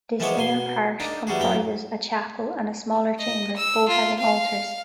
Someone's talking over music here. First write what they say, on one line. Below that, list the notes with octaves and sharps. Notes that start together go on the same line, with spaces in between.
This inner part comprises a chapel and a smaller chamber, both having altars.
E3 F3 G#3 B3 C#5 D6
B2 G#5 C6
A#3 D4 D#4
E3 G3 F#4 G#4
F#2 A3 A#4 G5
D#5
E6
F4
F5